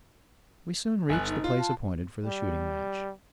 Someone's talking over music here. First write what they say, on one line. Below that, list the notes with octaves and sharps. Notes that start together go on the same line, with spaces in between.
We soon reached the place appointed for the shooting-match.
G1 G#5 F#6
D#4
F4
A5
G3